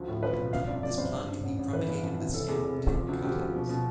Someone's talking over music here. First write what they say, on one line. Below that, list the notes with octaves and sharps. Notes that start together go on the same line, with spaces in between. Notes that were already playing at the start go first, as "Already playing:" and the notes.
This plant can be propagated with stem tip cuttings.
Already playing: D2 F3
A2
F3 B4
B1
G1 F5
F2 D5
F2 D5
G1 C5
G2
G2
A1
A1
E3 B4
G1
F2
E3
F1 A4
E2
F1
F1
F3
D2
D2 G4
F3
B2
B2